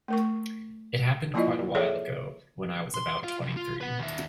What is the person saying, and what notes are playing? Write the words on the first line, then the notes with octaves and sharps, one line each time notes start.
It happened quite a while ago, when I was about twenty-three.
A3 A#4 C#6
F3 A#3 E4 F4 D5 D#5
G#4 A4 C#5 D5 E5 F#5
C6
F4 F5
C2
F4
B4 F#5
D#2 E5